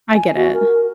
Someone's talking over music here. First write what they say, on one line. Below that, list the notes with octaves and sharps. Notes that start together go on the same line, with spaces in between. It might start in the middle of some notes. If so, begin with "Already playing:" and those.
I get it.
G#5
F#4
A#4